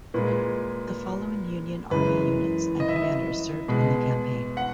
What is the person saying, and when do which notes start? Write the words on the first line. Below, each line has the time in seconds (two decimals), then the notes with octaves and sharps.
The following Union Army units and commanders served in the campaign.
0.14 A#2 G#3 B4
1.91 F#2 E3 G#3 B4
2.80 D#5
2.89 E5
2.96 D#5
3.68 B2 G#3
4.57 F#5